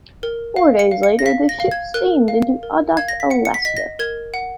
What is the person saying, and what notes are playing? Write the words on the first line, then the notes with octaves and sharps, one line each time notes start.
Four days later, the ship steamed into Adak, Alaska.
A#4
F5
C#7
F5
C#7
A#6
F5 B6
A#6
F5
G#6
A#4 F#6
F5
A#4
F5 G#6
A#6
B6
F#5 C#7
C#7
B6
D#5 B6
A#6
A#4 G#6
F#5